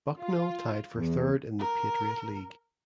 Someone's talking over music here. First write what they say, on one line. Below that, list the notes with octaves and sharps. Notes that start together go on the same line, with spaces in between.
Bucknell tied for third in the Patriot League.
F4
E2
A#4